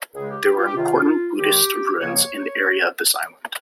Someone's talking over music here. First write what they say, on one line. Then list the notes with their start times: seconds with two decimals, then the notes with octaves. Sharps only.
There were important Buddhist ruins in an area of this island.
0.14 C#2 C#3 G#3 G#4
0.31 G4
0.45 G4
0.56 F4
0.66 G4
0.77 C#2 C3 D#3 F4
1.39 D#2 D#3 G#3 G4
2.00 C#2 C#3 F3 A#3 C#5
2.15 C#5